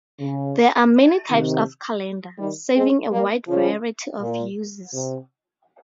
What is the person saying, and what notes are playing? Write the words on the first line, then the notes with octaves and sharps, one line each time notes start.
There are many types of calendar, serving a wide variety of uses.
C#3
C3 D#3
D#3 G3
G#3 C4
G3 A#3
C#3 F3
A#2
C3